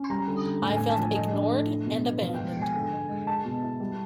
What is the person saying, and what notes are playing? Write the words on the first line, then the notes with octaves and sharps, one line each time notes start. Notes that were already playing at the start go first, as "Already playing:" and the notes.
I felt ignored and abandoned.
Already playing: C#4
G3 A#5
D3
D3
A2 G#5
G#5
C4
A5
F3 G#5
A2 D#5
D4
A3
E4
B2
B3
F3 F5
G5
G#2
G#2
G#5
D3
G#3
G#3
G#3 A5
B2
E4
G3